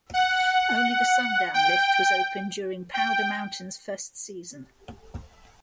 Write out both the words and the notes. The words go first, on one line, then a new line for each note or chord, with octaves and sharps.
Only the Sundown lift was open during Powder Mountain's first season.
F#5
G5
G5